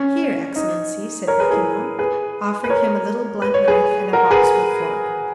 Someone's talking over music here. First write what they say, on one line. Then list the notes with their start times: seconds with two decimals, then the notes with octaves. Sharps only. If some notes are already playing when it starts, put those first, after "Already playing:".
"Here, excellency," said Peppino, offering him a little blunt knife and a boxwood fork.
Already playing: C#4
0.56 D#4
1.27 A#4 C#5
1.40 G#4 B4
1.51 E4 G#4
1.99 G#4 B4
2.64 B4
2.70 A#4 C#5
3.42 B4
3.54 C#5
3.67 G#4 B4
4.13 F#4 A#4
4.31 G#4 B4